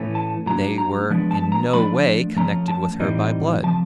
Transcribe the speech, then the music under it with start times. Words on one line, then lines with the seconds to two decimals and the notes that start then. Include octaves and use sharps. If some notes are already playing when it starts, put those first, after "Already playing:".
They were in no way connected with her by blood.
Already playing: A2 E3 A3 C#4
0.15 A5
0.46 A2 F#3 A#3 D4 A#5
0.78 A#5
1.10 F3 G#3 B3 D4
1.31 A5
1.52 A#5
1.73 F3 A3 D4 B5
2.37 F3 A3 C#4 A#5
2.68 A5
3.00 A2 E3 G3 C4 D#4
3.64 C3 F3 A5